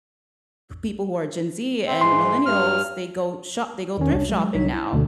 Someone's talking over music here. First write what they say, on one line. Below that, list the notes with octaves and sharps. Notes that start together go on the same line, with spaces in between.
people who are Gen Z and millennials, they go sho they go thrift shopping now,
C4
G#2 E3 C6
G2 F6
E2 D#3 C#4
C2 D4 C#5
F#3 G#3
C2 F#3 D#4 C#5 B6
E4
D2 B2 D3